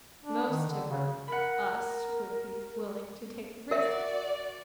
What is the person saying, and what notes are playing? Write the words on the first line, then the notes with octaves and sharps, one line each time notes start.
"Most of--er--us would be willing to take the risk."
D4
D#3
D3
C#3
A#4 F#5 B5
F#4 A#4 D5 E5